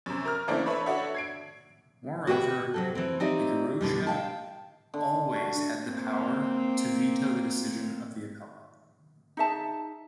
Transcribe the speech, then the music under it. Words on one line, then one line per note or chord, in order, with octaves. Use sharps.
Moreover, the gerousia always had the power to veto the decision of the apella.
F#2 C3
A#4 A#5 F6
C#3 E3 A3 A#3 C4 D4
B4 C#5 E5 A5 B5
D4 F#4 A4 C#5 E5
G#6 C7 D7
F#4 G4 B4 F5 G5
C3 F#3 A4
E3 C4
C4 D#4 G4 D5 E5
B2 D3 G3
F5 G5 A5
D3
F#4
A#3 C4
D#4 G#4 E5 A5